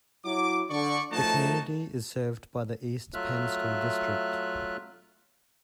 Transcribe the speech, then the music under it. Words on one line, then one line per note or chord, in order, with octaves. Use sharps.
The community is served by the East Penn School District.
F#3 E4 D6
D3 D5 C#6
F#2 F3 A3 D#4 F#4 A5
F#3 A3 F4 E5 F6 F#6